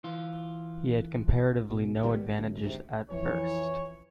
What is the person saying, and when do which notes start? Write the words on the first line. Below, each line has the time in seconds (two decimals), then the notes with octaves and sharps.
He had comparatively no advantages at first.
0.04 E3 F4
1.70 B2
2.03 D#3 G3 A3 B3
2.38 G1 F#2
2.64 D2 G#2 C3
3.11 F2 E3 C#5